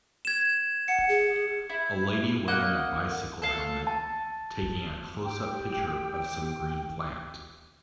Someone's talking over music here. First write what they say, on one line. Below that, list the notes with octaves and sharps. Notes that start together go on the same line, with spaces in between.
A lady wearing a bicycle helmet taking a closeup picture of some green plant.
G#6 E7
F#5 C#7
G#4
E4
A#3 D#5 F#5 F#6
A4 F5
A5
G4 G5